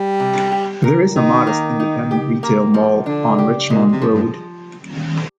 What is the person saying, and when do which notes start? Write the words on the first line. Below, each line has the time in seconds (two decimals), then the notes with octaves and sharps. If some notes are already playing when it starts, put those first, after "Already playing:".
There is a modest independent retail mall on Richmond Road.
Already playing: G3
0.20 C3
0.52 G4
0.84 A#4
1.16 D#3 D#4
1.47 A#3
1.80 D#4
2.11 G4
2.43 A#3
2.74 F3
3.06 D3 D4
3.38 G4
3.70 A#2 G#3
3.91 C3
4.02 F3
4.13 G2